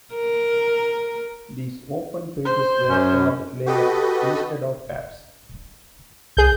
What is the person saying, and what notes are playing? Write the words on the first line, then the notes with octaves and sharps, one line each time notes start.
These open pages were called "layers" instead of tabs.
A#4
C5
F#2 C#4
F#4 G4 A4 B4 D#5
C2 G#4 G6